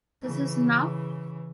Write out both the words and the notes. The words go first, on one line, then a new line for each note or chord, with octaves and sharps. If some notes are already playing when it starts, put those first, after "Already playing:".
This Is Now.
C#3 E3